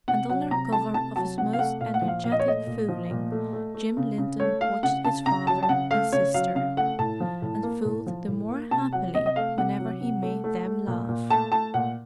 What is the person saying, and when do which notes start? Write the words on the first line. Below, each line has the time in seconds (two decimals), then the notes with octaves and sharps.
And under cover of his most energetic fooling Jim Linton watched his father and sister, and fooled the more happily whenever he made them laugh.
0.08 C3 F#5
0.29 F#3 F#5
0.51 C3 A#5
0.73 A3 A5
0.94 C3 A5
1.16 F#3 A5
1.38 C3 F#5
1.53 F5
1.59 A3 F#5
1.81 A#2 F5
1.94 F#5
2.02 F3
2.08 F5
2.24 A#2 F5
2.32 D#5
2.40 C#5
2.46 A3 D#5
2.67 A#2
2.89 F3
3.11 A#2
3.32 A3
3.53 A3
3.75 A3
3.97 C#3
4.18 C#3
4.40 A3 C#5
4.61 A3 F5
4.83 C#3 F#5
5.04 C#3 A5
5.26 C#3 A#5
5.47 F#3 A5
5.63 A5
5.69 C#3 F#5
5.91 A3 F5
6.12 C#3 C#5
6.34 F#3 F5
6.55 C#3 F5
6.77 A3 F#5
6.99 A2 A5
7.20 F3
7.42 A2
7.63 A#3
7.85 A2
8.07 F3
8.28 A2
8.50 A#3
8.71 C3 A5
8.93 F#3 F#5
9.15 C3 D#5
9.26 D#5
9.36 A3 F5
9.58 C3 F#5
9.79 F#3
10.01 C3
10.23 A3
10.44 A3
10.66 A3
10.87 A#2
11.09 A#2
11.30 A3 A5
11.52 A3 A5
11.74 A#2 F#5